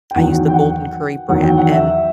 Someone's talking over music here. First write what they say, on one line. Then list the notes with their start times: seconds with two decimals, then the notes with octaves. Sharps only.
I use the Golden Curry brand, and
0.11 G5
0.16 E2 D#3 F#3 F#5
0.48 G5
0.54 F#5
1.29 E2 D#3 F#3 F#5
1.43 G5
1.58 F#5
1.71 E5